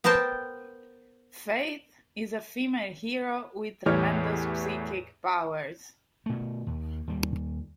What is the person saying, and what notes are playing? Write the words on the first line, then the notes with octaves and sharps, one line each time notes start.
Faith is a female hero with tremendous psychic powers.
B3 A#4 C5 G5 A5
E2 A2 E3 G4 C#5 F6
B2 A3
D#2
D#2 G3